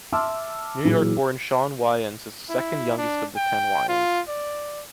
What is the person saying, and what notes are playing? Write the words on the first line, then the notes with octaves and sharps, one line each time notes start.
New York-born Shawn Wayans is the second youngest of the ten Wayans.
E5 A5 C6 D6 E6 F6
A#2 E3 F#3 G#4
E4
D4
G5
F4
D5